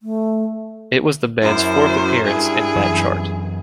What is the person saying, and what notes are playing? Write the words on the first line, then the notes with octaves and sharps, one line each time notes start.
It was the band's fourth appearance in that chart.
A3
F#2 E4 C5
G2 E4 G#4
F#2 E3